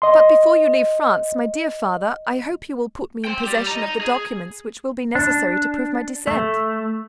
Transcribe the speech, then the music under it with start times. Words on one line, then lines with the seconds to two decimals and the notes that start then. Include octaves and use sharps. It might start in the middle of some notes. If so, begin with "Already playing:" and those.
"But before you leave France, my dear father, I hope you will put me in possession of the documents which will be necessary to prove my descent."
0.02 D#5 C6
3.25 G5 C6
3.44 G4 D5
3.67 D#5 A#5
4.01 G#4
5.15 D4
6.27 A3